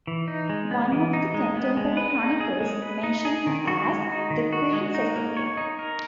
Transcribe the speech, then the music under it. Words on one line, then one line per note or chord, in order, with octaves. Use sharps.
One of the contemporary chronicles mention her as "the queen Cecilia".
E3
D#4
G#3
B3
E3
D#4
G#3
B3
G#3
B4
D#4
G#4
G#3
B4
D#4
G#4
D#3
F#4
G#3
D#4
D#3
F#4
G#3
D#4
A#3
C#5
D#4
A#4